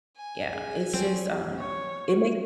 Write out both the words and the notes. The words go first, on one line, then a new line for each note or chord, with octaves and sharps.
yeah, it's just, um, it makes
G#5
G#4
F#3 C4
C#5